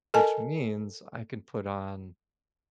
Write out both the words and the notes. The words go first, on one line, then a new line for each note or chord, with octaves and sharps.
which means I can put on,
A4 A#4 D#5 G#5 A5